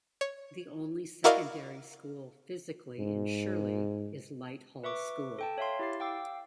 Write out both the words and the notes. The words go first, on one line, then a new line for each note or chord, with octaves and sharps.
The only secondary school physically in Shirley is Light Hall School.
C#5
E4 F#4 A#4 D5 D#5 F5
G#2
B4 E5 C#6 D6
A4 G5 A5
C#5 E5 F5 C6
E4 G4 A6 C7
F5 G5 D6 E6